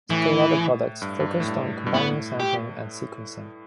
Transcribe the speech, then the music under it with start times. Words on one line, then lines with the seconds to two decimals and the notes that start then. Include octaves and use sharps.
Still other products focused on combining sampling and sequencing.
0.10 A2 E3
1.02 G2
1.20 G2
1.40 A2
1.48 G2
1.87 G2
1.94 A2 B3
2.40 G4